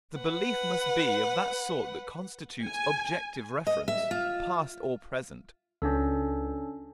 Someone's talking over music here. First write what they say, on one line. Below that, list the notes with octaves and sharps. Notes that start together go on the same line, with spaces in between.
The belief must be of that sort that constitutes objective reference, past or present.
B4 F#5
G#5
D#5
E5
F4
C#2 C#4 D4 A4